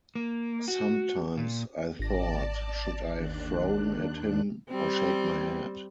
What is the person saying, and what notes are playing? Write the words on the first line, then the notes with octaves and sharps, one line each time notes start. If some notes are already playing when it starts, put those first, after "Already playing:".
Sometimes I thought, should I frown at him or shake my head.
A#3
F#4
A#2
G#1 D5 A5 A#6
D#2 D4 F#6
G3 C4